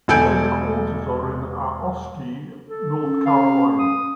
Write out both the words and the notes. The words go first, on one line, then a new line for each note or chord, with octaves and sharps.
The headquarters are in Ahoskie, North Carolina.
E1 A4 G#5 G6 D7
A4
C#4
F5
D#6